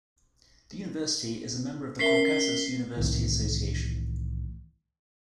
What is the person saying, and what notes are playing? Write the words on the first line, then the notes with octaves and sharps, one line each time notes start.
The university is a member of the Caucasus University Association.
C#4 A#4 E5 B6 C7 G7
C2 A2 D#3 E3